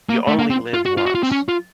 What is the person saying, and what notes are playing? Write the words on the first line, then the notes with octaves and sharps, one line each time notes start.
"You only live once,"
A#3
A3
A#3
C4
F4
F#4
F4
F#4
F4
C4
C#4
F4